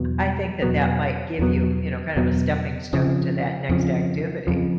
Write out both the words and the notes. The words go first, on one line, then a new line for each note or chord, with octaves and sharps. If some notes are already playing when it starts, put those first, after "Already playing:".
I think that that might give you, you know, kind of a stepping stone to that next activity.
Already playing: E2 B2 F#3 B3
E2 B2 F#3 B3
E2 B2 F#3 B3
E2 B2 F#3 B3
F2 C#3 F3
F2 C#3 F3
F2 C#3 F3